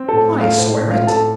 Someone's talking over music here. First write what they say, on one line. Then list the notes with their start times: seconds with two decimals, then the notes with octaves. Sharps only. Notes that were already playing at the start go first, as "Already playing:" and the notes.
"I swear it."
Already playing: C4
0.08 A2 A4 A5
0.35 A3
0.41 F4 F5
0.58 A2 C5
0.74 D5
0.80 C4
0.91 F4 F5
1.02 A2
1.07 A4 A5